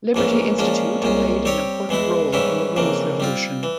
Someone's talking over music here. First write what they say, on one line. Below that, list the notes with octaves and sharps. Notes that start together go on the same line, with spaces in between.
Liberty Institute played an important role in the Rose Revolution.
A#1 G#2 E3 A#3 C#4
A#2 F3 G#3 C#4
C2 A#2 G#3 C#4
G3 C4 G4 C#5
E2 E3 G#3 E4
G#2 E3 G3 C#4 E4
F2 C#3 E3 A#3
G3 C4 F4
E3